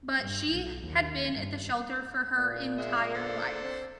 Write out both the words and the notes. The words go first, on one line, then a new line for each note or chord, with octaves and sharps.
but she had been at the shelter for her entire life.
G2
B1
D#2
G2
A#2
G#3 E5
D4 A4 C5
C4